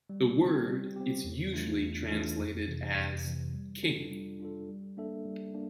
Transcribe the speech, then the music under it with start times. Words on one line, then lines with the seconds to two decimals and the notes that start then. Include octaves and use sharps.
The word is usually translated as "king".
0.10 G3
0.39 C4 G4
0.68 G3
0.96 C4 G4
1.24 E2
1.53 E3 A3 D4 F4
1.82 E2
2.11 E3 A3 D4 F4
2.39 F2
2.68 C3 E3
2.96 F2
3.25 C3 E3
3.54 G3
3.83 D4 F4 A4
4.11 G3
4.40 D4 F4 A4
4.69 G3
4.97 A#3 D4 A4 E5
5.26 G3
5.54 A#3 D4